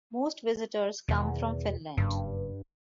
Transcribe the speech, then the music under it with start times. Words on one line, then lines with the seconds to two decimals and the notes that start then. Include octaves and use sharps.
Most visitors come from Finland.
1.08 E2 B2 D#3 E3
1.97 F#1 G2